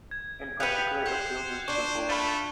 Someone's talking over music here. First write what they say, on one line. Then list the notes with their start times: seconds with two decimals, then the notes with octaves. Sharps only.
In particular, a field is a simple ring.
0.11 G#6
0.60 B3 G4 B4 F5 F#6 C#7 F7
1.06 C5 F#5 G6
1.68 D4 C5 C#6
2.09 A3 F4 B5 G7